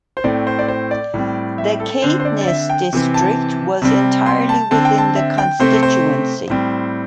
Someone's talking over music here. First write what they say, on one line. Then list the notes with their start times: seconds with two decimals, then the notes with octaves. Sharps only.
The Caithness district was entirely within the constituency.
0.17 C5
0.24 A2 A3 C4 D5
0.47 C5
0.59 D5
0.68 C5
0.91 D5
1.14 A2 G3 C4
1.58 E5
1.80 A4
2.02 D3 C4 C5
2.20 C5
2.25 D5
2.41 D5
2.48 E5
2.69 G5
2.93 C3 E3 C4
3.14 A5
3.82 C3 G3 C4
4.26 C6
4.49 A5
4.71 D3 C4 A5
4.85 G5
4.98 A5
5.16 E5
5.38 G5
5.60 C3 A3 C4 C5
5.73 A4
5.83 C5
6.50 A2 G3 C4